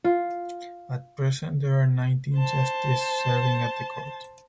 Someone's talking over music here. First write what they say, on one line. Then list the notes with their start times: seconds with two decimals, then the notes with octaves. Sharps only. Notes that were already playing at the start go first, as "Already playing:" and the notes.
At present there are nineteen justices serving at the Court.
0.04 F4
2.36 C5 A5